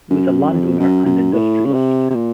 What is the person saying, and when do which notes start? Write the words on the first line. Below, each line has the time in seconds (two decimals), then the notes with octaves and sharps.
He was a landowner and industrialist.
0.11 F#2
0.52 F2
0.79 F#2
1.06 F#2
1.33 A2
1.66 C#3
1.74 C3
2.11 C3
2.15 A#2